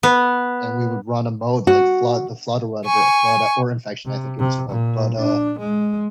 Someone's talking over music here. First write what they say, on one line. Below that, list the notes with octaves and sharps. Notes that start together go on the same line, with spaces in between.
and we would run a mode like Flood The Flood or whatever, but, uh or Infection, I think it was called, but, uh,
B3
F#4
G#5 C#6
C3
C3
A#2
D4
G#3